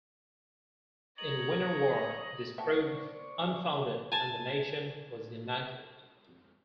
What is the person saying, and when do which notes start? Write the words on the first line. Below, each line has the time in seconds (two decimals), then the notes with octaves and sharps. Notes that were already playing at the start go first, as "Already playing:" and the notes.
In Winter War this proved unfounded and the nation was united.
1.18 C#5 D#5 A#5 F#7
2.58 B3 C5 D5 E5 G5 A5 C#6
3.41 C#4 E4
4.12 G#5 A5